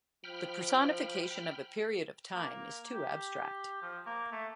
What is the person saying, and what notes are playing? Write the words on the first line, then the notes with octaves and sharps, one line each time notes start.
The personification of a period of time is too abstract.
F3 G5 B5 F6
A#3
G4
F3
A#3
A3